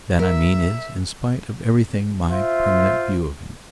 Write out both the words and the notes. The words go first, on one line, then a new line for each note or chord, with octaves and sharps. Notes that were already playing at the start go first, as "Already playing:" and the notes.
That, I mean, is, in spite of everything, my permanent view of him.
A#4 E5
F4 C5 E5